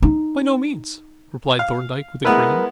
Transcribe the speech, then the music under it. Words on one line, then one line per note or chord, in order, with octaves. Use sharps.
"By no means," replied Thorndyke, with a grin.
D#4
F5
G#3 B3 E4 A#4 B4